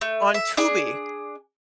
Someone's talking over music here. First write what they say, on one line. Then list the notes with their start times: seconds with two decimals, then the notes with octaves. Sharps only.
on Tubi
0.01 A3
0.34 E5
0.57 D4 G#4